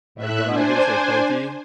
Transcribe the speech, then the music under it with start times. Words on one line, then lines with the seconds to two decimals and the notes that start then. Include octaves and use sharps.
Like, a lot of people say pokey,
0.15 A2 E5 F#6
0.48 D4 C5 G#5